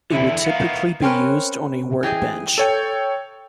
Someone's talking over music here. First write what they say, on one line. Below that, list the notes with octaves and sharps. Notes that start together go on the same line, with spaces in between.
It would typically be used on a workbench.
E2 D3 E4
D#3 B3 F5
C4 C#4 A#4 B4
E3 G4 G#4 D#5
A4 C#5 G5